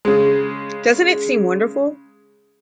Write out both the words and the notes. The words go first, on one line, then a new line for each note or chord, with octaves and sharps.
Doesn’t it seem wonderful?
C#3 G#3